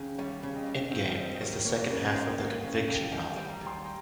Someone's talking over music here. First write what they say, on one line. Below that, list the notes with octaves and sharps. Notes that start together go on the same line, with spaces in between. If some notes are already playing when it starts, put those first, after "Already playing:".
"Endgame" is the second "half" of the "Conviction" novel.
Already playing: D#2 C#3
G3 C#5 F5
C#3
D#5 G5
D#2
C4 C#5 F5
F5
G3 C5 D#5
D#5
D#2 A#4 C#5
A#3 A#4 C#5
C#3
D#5
F5
A#3 C5 D#5
G5
A#3 C#5 F5
C#3
D#2
G3 F5 G#5
F5 G#5
G3
G5 A#5
D#2
G#5 C6
G5 A#5